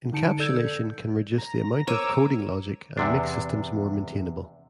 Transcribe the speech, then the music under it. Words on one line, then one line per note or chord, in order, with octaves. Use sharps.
Encapsulation can reduce the amount of coding logic and make systems more maintainable.
D3 D#4 A5 C#7 D7
A4 D5 E6 G6 G#6
A#5
A#4 C5 C#5 A#5 D6 E6 D#7
E2 C3 D4